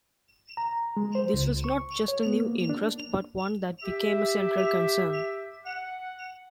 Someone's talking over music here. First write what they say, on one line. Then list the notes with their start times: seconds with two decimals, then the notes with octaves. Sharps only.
This was not just a new interest but one that became a central concern.
0.57 A#5
0.97 G#3
1.15 C5
1.34 C#2
1.64 C#6
2.08 C#5
2.26 B3
2.45 A#3
2.69 D4
3.83 G4 E5
5.65 F#5